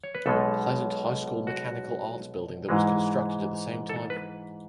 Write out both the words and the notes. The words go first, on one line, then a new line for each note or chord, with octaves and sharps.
Pleasant High School Mechanical Arts Building that was constructed at the same time.
C#5
B4
B1 B2 G#3 A4
F#4
G#2 E3 G#3
A4
B4